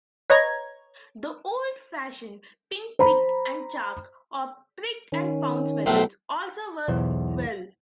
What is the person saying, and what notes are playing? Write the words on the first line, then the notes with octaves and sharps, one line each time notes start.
The old-fashioned "pinprick and chalk" or "prick and pounce" methods also work well.
B4 C#5 D#5 A#5 G#6
C5 A#5 B5
D#3 C#4
B1 A2 C5 E5 C6
B1 E2 C5